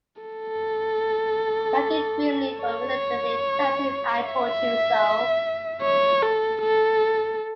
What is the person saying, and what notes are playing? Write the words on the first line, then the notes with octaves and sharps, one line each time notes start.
Peggy grimly but reluctantly tells him I told you so.
A4
C#5
E5
C#5
A4
A4